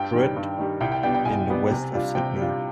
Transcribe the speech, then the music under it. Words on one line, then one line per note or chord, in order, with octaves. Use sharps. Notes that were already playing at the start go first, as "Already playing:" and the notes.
Druitt in the west of Sydney.
Already playing: G2 G5
D#3 G3
G2
D#3 G3
C2 G5
G5
B2 G3 B3 D4 G5
G5
C2 G#5
B2 G3 B3 D4
C3
G3 D4 F4
C3 G5
G3 D4 F4